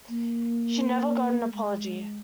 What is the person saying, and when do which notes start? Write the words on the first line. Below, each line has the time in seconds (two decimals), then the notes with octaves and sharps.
She never got an apology.
0.09 A#3
1.52 G#3